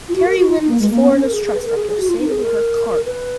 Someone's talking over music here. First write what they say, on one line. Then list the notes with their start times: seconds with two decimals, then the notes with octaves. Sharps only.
Carrie wins Flora's trust after saving her cart.
0.09 F4
0.14 F#4
0.25 A#4
0.35 F#4
0.47 F4
0.58 D#4
0.67 A#3
0.79 G#3
0.90 A#3
1.01 B3
1.10 C#4
1.22 A#4
1.32 G#4
1.43 G#4
1.54 B4
1.65 A#4
1.75 G#4
1.87 G#4
1.97 F#4
2.07 F4
2.18 D#4
2.26 A#4
2.30 G#4
2.41 A#4
3.05 B4